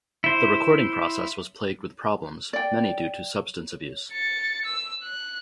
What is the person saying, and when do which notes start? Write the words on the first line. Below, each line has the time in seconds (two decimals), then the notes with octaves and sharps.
The recording process was plagued with problems, many due to substance abuse.
0.24 E4 C5
2.53 D5 G5
4.12 A6 C#7
4.65 E6
5.03 F#6